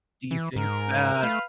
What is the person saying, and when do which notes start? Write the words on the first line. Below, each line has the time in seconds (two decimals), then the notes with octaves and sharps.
Do you think that
0.31 E3
0.56 G#2 A#4
1.23 A3 B4 F5